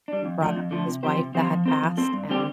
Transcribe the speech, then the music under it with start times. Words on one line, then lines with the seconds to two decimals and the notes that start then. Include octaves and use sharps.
brought up his wife that had passed, and,
0.08 G3 D4
0.25 F2
0.41 D3 F3 A3
0.56 F2
0.71 D3 F3 A3
0.87 C3
1.03 F3 C4 G4 C5
1.19 C3
1.34 F3 C4 G4 C5
1.51 F3
1.66 C4 A4 C5
1.82 F3
1.97 C4 A4 C5
2.13 G2
2.29 D3 G3 C4 G4